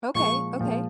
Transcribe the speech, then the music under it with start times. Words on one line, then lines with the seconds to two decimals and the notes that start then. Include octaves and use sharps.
Okay, okay.
0.15 A#2 F3 G#3 C#6
0.59 A#2 F3 G#3